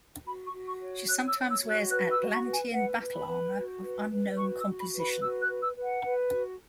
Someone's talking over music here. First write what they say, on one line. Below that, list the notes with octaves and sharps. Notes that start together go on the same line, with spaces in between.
She sometimes wears Atlantean battle armor of unknown composition.
F#4 B5
C#6
F#4
C#6
C#5
C#5 F#6
E6
C#5
E6
F#4
F#6
B4 F#6
E6
F#4
C#6
B4
G#5
B4 F#5
B4
B5
B4
F#4
B4
B4
F#4 C#6
E6
F#4
B5
B4
B5
F#4 E6
F#6
B4
E6
B4
F#5
B4
F#4